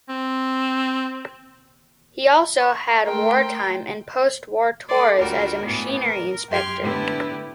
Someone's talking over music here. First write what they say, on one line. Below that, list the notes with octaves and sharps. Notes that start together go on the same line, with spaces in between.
He also had wartime and post-war tours as a machinery inspector.
C4
F#5 C#6
A3 A4 A#4 G5 C6
A4 D5 C6 D6
D2 G3 F4 F#4 A#4
A2 E3 B3
A#4
F#2 G4 G5 C6 F6 G#6
A2 D3 B3 E4 G4 B4